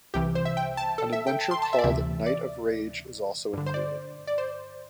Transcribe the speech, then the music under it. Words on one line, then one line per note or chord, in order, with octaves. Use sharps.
An adventure called "Night of Rage" is also included.
C2 C3 E3 G4
C5
E5
G5
A5
A4
E5
G5
A5
C6
A5
E5
D5
D2 C3 E3 E5
D5
G2 D3
C5
D5
D5
C5